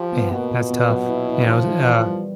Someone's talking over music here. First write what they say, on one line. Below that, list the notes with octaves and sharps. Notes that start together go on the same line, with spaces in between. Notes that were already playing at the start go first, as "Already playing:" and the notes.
Man, that's tough. Yeah, I was uh
Already playing: F3 G4
B3
B2 A#3
A#2
B3
F#3
E4
E4
D#3 F3
D#3
E3
G3